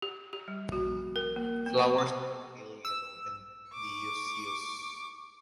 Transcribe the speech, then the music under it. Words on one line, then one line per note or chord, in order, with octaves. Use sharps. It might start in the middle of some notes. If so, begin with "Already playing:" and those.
Flowers are pale yellow and dioecious.
G4
G4
G3
F#4
A#4
A#3
B3
C5
E6
C#6 D6